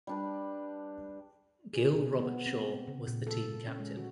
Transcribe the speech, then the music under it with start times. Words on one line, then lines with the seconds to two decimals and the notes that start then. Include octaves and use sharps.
Gil Robertshaw was the team captain.
0.07 G3 D4 B4
1.73 G#4
1.95 B2
2.19 B3
2.46 C4
2.88 C#3
3.07 A#2
3.27 A4
3.68 C#4
3.80 G#3
3.97 F#4